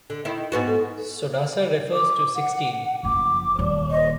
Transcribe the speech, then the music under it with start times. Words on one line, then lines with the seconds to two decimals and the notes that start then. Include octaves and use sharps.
Sodasa refers to sixteen.
0.10 D3
0.25 D#3 E4
0.52 G#2 B3 F#4
0.68 A4
1.93 D6
2.36 F#5
3.03 F#1 F3 D6
3.59 D#1 D#2
3.91 D#5